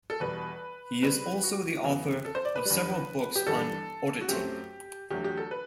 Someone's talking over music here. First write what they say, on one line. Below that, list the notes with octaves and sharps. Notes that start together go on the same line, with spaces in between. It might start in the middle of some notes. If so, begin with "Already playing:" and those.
He is also the author of several books on auditing.
A4
E2 B2 G3 B4
C3 G3 C4 B4
F#4
F#2 E3 B3
A4
C5
D5
B4
E2 D3 G3
G4
G2 E3 G3 A4
F#4
F#2 F#3 A3 C4 G4
E2 D3 F#3 A3 G4
G4
A4
B4